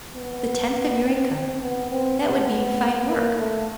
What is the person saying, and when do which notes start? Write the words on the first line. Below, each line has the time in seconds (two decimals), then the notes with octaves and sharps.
"The tenth of your income--that would be fine work."
0.15 B3
1.04 C4
1.33 C4
1.61 B3
1.91 C4
2.20 B3
3.09 A#3
3.37 A3